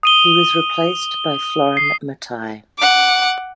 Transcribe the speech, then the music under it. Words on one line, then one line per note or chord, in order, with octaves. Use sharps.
He was replaced by Florin Matei.
D#6 D#7 G7
C7
F#5 D6